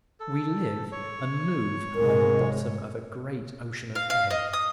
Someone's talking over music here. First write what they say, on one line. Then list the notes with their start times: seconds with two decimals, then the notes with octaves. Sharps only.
We live and move on the bottom of a great ocean of air.
0.20 A4
0.92 C#5
1.95 G#2 C3 G#3 A#4
3.95 F5
4.10 F5
4.31 D#5
4.53 D#6